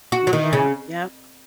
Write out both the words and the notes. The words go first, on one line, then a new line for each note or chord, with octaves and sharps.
Yeah, yep.
F#4
F#3
D#3
C#3